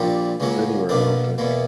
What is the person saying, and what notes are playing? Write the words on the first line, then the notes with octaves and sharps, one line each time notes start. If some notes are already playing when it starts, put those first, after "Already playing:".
anywhere, I don't think.
Already playing: A#1 A#2 G3 A#3
C#2 C#3 F#3 A#3
B1 B2 A#3 D4
E2 B2 A#3